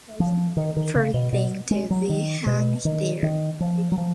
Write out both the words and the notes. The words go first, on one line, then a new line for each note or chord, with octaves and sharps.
First thing to be hung there.
F3
D#3
D#3
C#3
B2
B2
G#3
F#3
D#3
B2
D#3
D#3
F3
F#3
F3